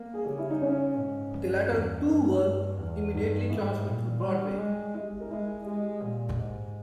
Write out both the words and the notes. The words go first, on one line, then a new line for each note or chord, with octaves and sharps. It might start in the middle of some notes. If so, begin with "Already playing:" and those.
The latter two were immediately transferred to Broadway.
Already playing: A#3
G#4
C#3 G4
E4
D#4
C#4
G#2
G2
E2
G2 D#4
G2
E2
G2 D#4
G#2 E4
A#2
G3
G#3
E4
G4
A#4
G#3 E4
G#3 G4
A#2
G#2